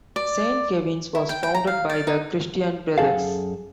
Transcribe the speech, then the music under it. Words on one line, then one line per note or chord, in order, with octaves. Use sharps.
Saint Kevin's was founded by the Christian Brothers.
D5
E4
G5
G5
A#5
F5
D5
D#4
F#2 G#4 A4 F5